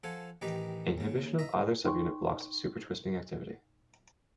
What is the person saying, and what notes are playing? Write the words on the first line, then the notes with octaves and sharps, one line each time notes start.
Inhibition of either subunit blocks supertwisting activity.
F3 F4 A4 F#5 G#5
A1 D#3 D#4 G4 B4 A#5
D#2 C#3
D#5 E5 A#5
D#4 G5 C6 C#6